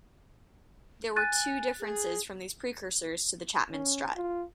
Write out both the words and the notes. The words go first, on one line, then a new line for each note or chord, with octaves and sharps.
There were two differences from these precursors to the Chapman strut.
G#5 F#6 A6 D#7
G#4
C#4
F4